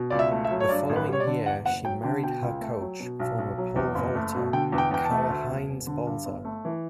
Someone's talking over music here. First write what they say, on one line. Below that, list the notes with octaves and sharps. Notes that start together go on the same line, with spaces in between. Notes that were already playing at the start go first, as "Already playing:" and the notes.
The following year, she married her coach, former pole vaulter, Karl-Heinz Balzer.
Already playing: B2
C#2 D5
E5
A3
E5
F#3
C#5
G2 D5
A1
B4
G3 C#5
D5
D3
E2 F#5
F#1 F#5
F#3 G5
D3 G5
B2 G5
C#2
A3
F#3
B2
B1
B1
F#3
E2
F#1
A3
B2
D3 G5
E2
G5
E2 G5
A5
A3
D2
E1
E1
D3
G2
G1
A3
E3